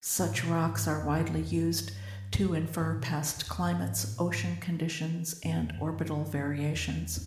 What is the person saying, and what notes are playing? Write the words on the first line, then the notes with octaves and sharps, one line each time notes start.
Such rocks are widely used to infer past climates, ocean conditions, and orbital variations.
G#2
B2
A#2
G#2
G2
E2
G2
E2
G2
G#2
B2
E2
G2
G#2
G#2
A#2
G#2
G2
G2
E2
G2
G2
E2